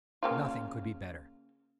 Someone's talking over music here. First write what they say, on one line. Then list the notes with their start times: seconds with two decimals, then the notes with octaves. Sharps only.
Nothing could be better.
0.23 C#3 A#3 F4